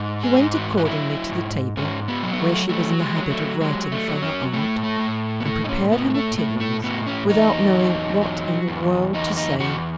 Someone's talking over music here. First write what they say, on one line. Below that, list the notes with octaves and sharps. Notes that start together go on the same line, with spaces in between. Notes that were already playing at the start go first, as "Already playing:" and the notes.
She went accordingly to the table, where she was in the habit of writing for her aunt, and prepared her materials without knowing what in the world to say.
Already playing: G#2
G#4
G#2
F#4
F#4
F#3 E4
G#2
G#2 C#4
B3
F#3
B3
A3
F#3 A3
G#3
F#3
A3
F#3 G#3
A3
F#3
C#4
A2 A3
A3
A2
B3
A2 A3
D#4
C#4
A2 B3
G#3
A3
A2 A3
A3
A2 B3
C#4
E2 D#4
F#3
F#3
E2
E2 D#4
D#4
E2 F#4